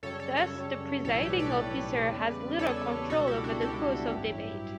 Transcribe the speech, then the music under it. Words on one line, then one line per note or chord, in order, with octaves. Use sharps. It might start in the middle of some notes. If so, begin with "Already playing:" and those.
Thus, the presiding officer has little control over the course of debate.
F#2 C#3 G3 A4 C#5
A4 C#5
A4 C#5
F#2 C#3 G3
B1 A2 E3 G3 A4 C#5
G4 B4
B4 D5
B1 A2 E3 G3
E2 C#3 G3
E2 C#3 G3 A4 C#5
C#2 B2 G3 F#4 A4
E4 G4
D4 F#4
C#2 B2 G3 E4 G4
A1 G2 F#3